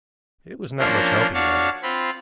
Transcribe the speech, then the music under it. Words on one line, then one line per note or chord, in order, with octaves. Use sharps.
It was not much help he wanted.
F3 A#3 C#4 D4 A#4 C5
D4 F#4 C#5 D5 F5 A5
C4 F4 B5